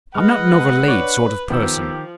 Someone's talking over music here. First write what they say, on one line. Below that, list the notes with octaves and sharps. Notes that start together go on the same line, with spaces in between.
I'm not an overlaid sort of person.
G#3 B4 D#5 F#5 F6
D4 B4 C#5 D5
D#3 F3 B3 G4 G5 E6